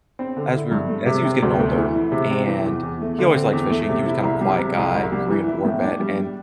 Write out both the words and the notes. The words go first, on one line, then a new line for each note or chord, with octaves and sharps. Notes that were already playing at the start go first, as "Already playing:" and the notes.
as we were as he was getting older, and he always liked fishing, he was kind of a quiet guy, Korean War vet, and,
C4
D3
E4
G2
A3
C3
C4
D2
A3
E3
E4
C3
C4
E3
E2
E2
A3
D3
C4
E2
A3
C3
E4
C2
G3
C3
C2
C2
G3
E3
E4
A2
D4
G3